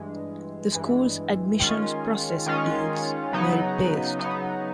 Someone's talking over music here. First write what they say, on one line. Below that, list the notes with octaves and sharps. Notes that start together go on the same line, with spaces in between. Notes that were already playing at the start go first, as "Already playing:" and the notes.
The school's admissions process is merit-based.
Already playing: G2 E3 G#3
G2 E3 G#3
D#3 G#3 C#4 F4
D#3 G#3 C#4 F4
C#3 F#3 B3 D#4
C#3 F#3 B3 D#4